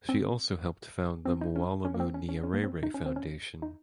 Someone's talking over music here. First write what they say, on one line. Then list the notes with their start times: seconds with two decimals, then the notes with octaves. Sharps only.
She also helped found the Mwalimu Nyerere Foundation.
0.09 C4
1.25 C4
1.41 D#4
1.56 C#4
1.85 C#4
1.94 A#3
2.00 C4
2.14 C#4
2.29 C#4
2.43 C#4
2.54 A#3
2.63 C4
2.83 D#4
2.94 C#4
3.06 C4
3.16 C#4
3.62 D#4